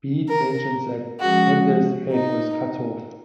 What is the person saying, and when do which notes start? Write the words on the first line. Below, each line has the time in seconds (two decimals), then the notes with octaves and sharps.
Bede mentions that Penda's head was cut off.
0.29 A#4
1.20 F3 G#3 C#4 F#4 G#4
2.12 D#4